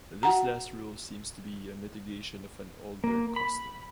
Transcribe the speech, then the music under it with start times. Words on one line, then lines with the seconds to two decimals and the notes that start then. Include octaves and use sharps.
This last rule seems to be a mitigation of an older custom.
0.23 F#4 F#5 A#5
3.04 A#3
3.36 B5